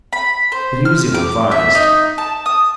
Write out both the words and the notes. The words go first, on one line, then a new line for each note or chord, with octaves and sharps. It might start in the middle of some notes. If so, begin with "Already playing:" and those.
But he was ill-advised.
B5
C5
F6
D6
E5
D#4
A5
D#6